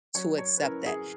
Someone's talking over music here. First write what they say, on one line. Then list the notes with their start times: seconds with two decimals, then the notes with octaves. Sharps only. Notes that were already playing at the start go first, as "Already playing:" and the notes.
to accept that;
0.15 F#3 C#5
0.38 C#5
0.58 B4
0.62 C#4 E4 A#4
0.86 G#4